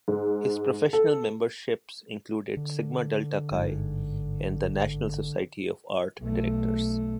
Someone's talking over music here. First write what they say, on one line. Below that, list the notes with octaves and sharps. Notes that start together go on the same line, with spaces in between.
His professional memberships included Sigma Delta Chi and the National Society of Art Directors.
G#2
A4
D3
G1 G#2
B1 A3